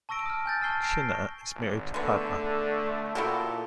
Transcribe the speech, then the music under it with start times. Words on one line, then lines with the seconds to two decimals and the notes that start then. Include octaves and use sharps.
Chinna is married to Padma.
0.09 A5 C#6 E6 A#6 D7
0.26 D#6 F6
0.46 G#5 G6 A6
0.62 A5 F6 C7 G7
0.83 A#6 C7 D7
1.55 G#1
1.94 D3 G#3 A3 B3
3.15 A#2 E4 F#4 G4 A4